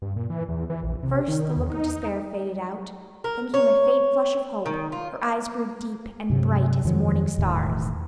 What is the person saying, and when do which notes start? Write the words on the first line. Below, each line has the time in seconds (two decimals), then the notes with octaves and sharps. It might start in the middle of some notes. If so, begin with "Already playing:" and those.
First the look of despair faded out; then came a faint flush of hope; her eyes grew deep and bright as morning stars.
0.02 G2
0.16 A#2
0.30 E3
0.49 E2
0.70 E3
0.83 A#1
1.03 C3
1.28 D#3
1.57 E2
1.70 D#4
3.24 A#4
3.54 C#5
4.66 D#3
4.92 F4
6.29 G2 C3 F#3
6.85 F2 D#3 F3 F#3
7.38 E1 E2 A2 D#3